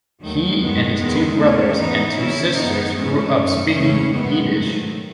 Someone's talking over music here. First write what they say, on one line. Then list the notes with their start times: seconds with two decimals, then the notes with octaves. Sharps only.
He and his two brothers and two sisters grew up speaking Yiddish.
0.22 D#2 D#3 F#3 A3
0.60 F#2 D#3 G#3 B3
1.00 E2 D#3 G#3 B3
1.39 E2 D#3 A3 C#4
1.78 G#2 E3 B3 D#4
2.17 D#2 C#3 E3 C#4 E4
2.56 F#2 D#3 B3 D#4
2.95 G#2 E3 A3 C#4
3.34 F#2 D#3
3.72 E2 C#3 E3 A3 C#4
4.11 F#2 D#3 G#3 B3
4.51 G#2 D#3 F#3 A3